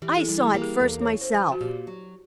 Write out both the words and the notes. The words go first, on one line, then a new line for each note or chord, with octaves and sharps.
I saw it first myself.
E3 G4
A4
G#4
G3
G#4
A#3 G4
G#4
E2 A4
C#5
C#3
C5
F3
F#4
A#2 G4
F#3